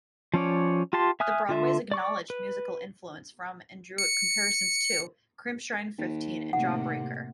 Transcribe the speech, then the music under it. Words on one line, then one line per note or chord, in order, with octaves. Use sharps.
The Broadways acknowledged musical influence from and drew comparisons to Crimpshrine, Fifteen and Jawbreaker.
F3 C#4 C#5 D5
F4 G4 A5 C6
E5 G#5 D#6 F6 F#6
D3 F4 E5
D5 C#6 D6
B4
C#7
D#2
D#2 A2 C3 A#3 F#5